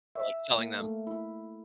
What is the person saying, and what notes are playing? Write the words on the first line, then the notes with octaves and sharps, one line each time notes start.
or, like, selling them?
E5
A#3
A3
E4